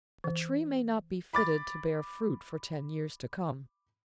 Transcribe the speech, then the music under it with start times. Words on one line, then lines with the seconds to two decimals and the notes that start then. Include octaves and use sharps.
A tree may not be fitted to bear fruit for ten years to come.
0.24 E3
1.33 B5 D6 A6